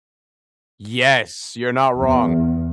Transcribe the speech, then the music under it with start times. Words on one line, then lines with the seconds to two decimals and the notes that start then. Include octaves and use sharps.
Yes. You're not wrong.
1.97 E2